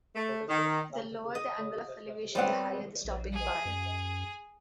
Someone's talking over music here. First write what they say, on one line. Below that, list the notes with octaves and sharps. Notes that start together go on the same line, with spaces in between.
The lower the angle of elevation, the higher the stopping power.
A3
D#3
D#5
G3 B3 C4 C5 C#5 F#5
A#1
G#4
F#2